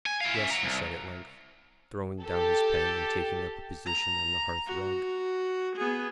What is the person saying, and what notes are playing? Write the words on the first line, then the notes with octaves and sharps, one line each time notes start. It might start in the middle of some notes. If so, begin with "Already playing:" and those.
"Yes," he said at length, throwing down his pen and taking up a position on the hearth-rug.
G#5
E4 F5
C#4 E5
F#5 A#5
C2
G4 A4
A#5
F#4
B3 G#4